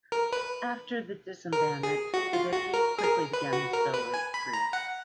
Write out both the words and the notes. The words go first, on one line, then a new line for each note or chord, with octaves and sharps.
After the disbandment Hideki quickly begin his solo career.
A#4
B4
A#4
G#4
F#4
F4
F#4
A#4
G#4
A#4
B4
F#4
A#4
B4
G#5
B5
A#5
F#5